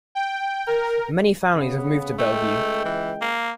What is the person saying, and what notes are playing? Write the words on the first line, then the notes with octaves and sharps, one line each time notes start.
Mainly families have moved to Bellevue.
G5
A#4
C#3 B3
C#2 G#3 A3 G5
E3
A#3